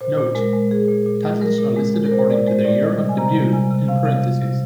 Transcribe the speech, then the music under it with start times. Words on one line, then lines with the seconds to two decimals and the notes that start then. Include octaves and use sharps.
"Note": Titles are listed according to their year of debut in parentheses.
0.01 A#2 C5
0.18 A#2
0.35 G#3 A#4
0.53 G#3
0.70 A#2 G#4
0.88 A#2
1.06 A#2
1.23 G#3
1.41 G#3 A#4
1.58 A#2
1.77 G#3
1.94 G#3
2.05 A#4
2.11 A#2 C5
2.30 G#3 D5
2.47 G#3 C5
2.64 A#2 D5
2.83 G3 D#5
3.00 C3
3.09 G#5
3.18 C3 A#5
3.35 G3
3.53 C3 G#5
3.70 C3
3.88 C3 F5
4.05 C3
4.23 C3
4.42 C3